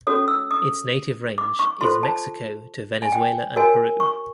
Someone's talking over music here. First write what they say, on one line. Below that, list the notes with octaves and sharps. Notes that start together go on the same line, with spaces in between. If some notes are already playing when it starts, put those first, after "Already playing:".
Its native range is Mexico to Venezuela and Peru.
C#4 F#4 A4 C#5 D#6
E6
D#6
D6
C#6
F4 A4 C5 C6
A5
G#5
G5
F#4 A#4 C#5 G#5
C#6